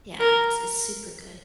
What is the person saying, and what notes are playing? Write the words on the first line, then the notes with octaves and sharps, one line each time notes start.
Yeah, it's it's super good.
A#4